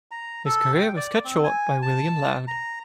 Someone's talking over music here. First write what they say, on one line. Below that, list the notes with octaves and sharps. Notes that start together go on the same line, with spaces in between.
His career was cut short by William Laud.
A#5
A4
G5
D5
C4
G#5
A5
A#5